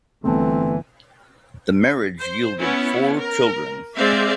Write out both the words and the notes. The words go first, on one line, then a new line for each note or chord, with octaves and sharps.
The marriage yielded four children.
G1 D3 E3 A3 B3 C4 A4
C5
B3 C#4 E4
A#4
G#3 C4 C5 D5 E5 F5